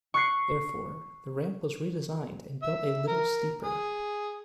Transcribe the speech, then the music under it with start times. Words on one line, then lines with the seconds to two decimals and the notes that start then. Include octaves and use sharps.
Therefore, the ramp was redesigned and built a little steeper.
0.14 C#6 F#6 C7 C#7
2.62 E5
3.07 A#4
3.63 G#4